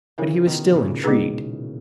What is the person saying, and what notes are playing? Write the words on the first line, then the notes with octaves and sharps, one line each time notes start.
But he was still intrigued.
C#3 E3 C#4 E4 A#4 C#5
B2 D#3
A#2 C#3
G#3 B3 D#4 G#4 B4